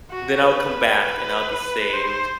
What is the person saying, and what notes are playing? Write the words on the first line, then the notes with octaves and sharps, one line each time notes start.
then I'll come back and I'll be saved.
F#4
B4
B4
C5